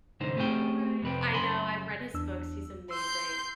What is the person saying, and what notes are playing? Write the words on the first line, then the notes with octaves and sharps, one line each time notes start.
Right. I know I've read his books. He's amazing.
C2 G#2 D3 D#4 C5
A3 C4 G4 G#4 F#5 G5
F2 C3 B4 G5
F#2 C#3 G#5 B5 C6
E2 D4 E6
C6 E6 G6